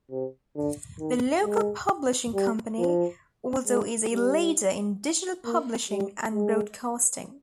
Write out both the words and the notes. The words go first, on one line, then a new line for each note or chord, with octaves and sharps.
The local publishing company also is a leader in digital publishing and broadcasting.
C3
D3
D#3
G#3
G3
F3
G#3
G3
A#3
G3
G#3